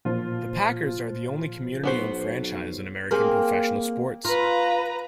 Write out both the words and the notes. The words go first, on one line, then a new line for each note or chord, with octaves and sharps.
The Packers are the only community-owned franchise in American professional sports.
A#2 F3 F4
B1 B3 F#4 C5
A#3 C4 G#4
F4 B4 A#5